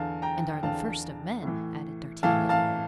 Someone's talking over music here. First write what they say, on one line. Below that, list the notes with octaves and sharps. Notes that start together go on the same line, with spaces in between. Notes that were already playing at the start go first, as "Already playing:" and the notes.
"And are the first of men!" added D'Artagnan.
Already playing: E2 D3 F5 A5
G5 A#5
E2 D3 F5 A5
A2 E3
A2 E3 F5 A5
F5 A5